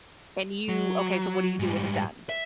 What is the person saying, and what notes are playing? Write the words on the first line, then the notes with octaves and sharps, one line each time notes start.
And you okay, so, what do you do with it then?
F#3
G#2 G3
E5